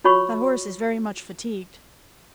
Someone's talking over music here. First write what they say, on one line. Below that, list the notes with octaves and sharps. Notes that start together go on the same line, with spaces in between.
"That horse is very much fatigued."
F4 F#4 C#5 B5 C#6